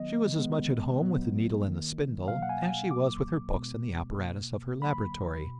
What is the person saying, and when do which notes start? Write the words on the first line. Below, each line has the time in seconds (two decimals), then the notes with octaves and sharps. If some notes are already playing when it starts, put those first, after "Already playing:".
She was as much at home with the needle and the spindle as she was with her books and the apparatus of her laboratory.
Already playing: D#3 F#3 B3 D#5
0.37 D#3 G#3 B3
1.00 A#2 F#3 B3
1.64 D#3 A#3
2.27 B2 F#3 A#3 F5
2.42 F#5
2.49 G#5
2.90 A#2 F#3 A#3 D6
3.55 B2 G#3 B3
4.18 B2 A#3
4.81 D3 F#3 A#3 B5
5.45 B2